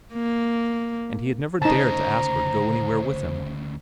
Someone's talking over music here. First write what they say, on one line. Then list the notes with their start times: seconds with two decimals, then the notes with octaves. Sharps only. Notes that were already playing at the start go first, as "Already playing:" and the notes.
And he had never dared to ask her to go anywhere with him.
0.13 A#3
1.62 D2 C#3 D#4 C5 A5 A#5